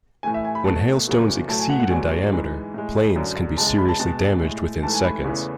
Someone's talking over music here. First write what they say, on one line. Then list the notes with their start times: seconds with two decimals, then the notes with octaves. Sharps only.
When hailstones exceed in diameter, planes can be seriously damaged within seconds.
0.23 A2 E3 A3 G#5
0.34 E5
0.45 G#5
0.55 B5
0.65 B2 A3 A5
1.07 E2 C#3 F#3 A3
1.49 A2 F#3 A3 A5
1.60 G#5
1.70 F#5
1.80 F#5
1.90 E2 D3 F#3 A3 G#5
2.32 G#2 E3 G#3
2.74 A2 G#3
3.16 F#2 D3 F#3
3.57 E2 C#3 G#3 A5
3.67 A5
3.78 B5
3.89 A5
3.99 B2 G#3 A5
4.41 A2 G#3
4.83 G#2 E3 A3 A5
4.93 G#5
5.04 B5
5.24 E2 C#3 E3 A3